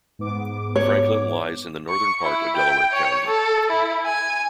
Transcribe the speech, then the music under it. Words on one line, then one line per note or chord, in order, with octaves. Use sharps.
Franklin lies in the northern part of Delaware County.
G#2 B3 D6
C#5
C#6
E4
G5
C#5
A4
E4
G#5